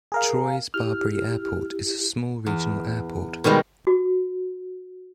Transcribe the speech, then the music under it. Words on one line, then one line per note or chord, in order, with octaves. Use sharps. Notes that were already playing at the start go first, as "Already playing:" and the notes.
Troyes - Barberey Airport is a small regional airport.
G#4 A#4 F5
E4 G4 F6
E2
B2 D#3 G3 G#3
F#4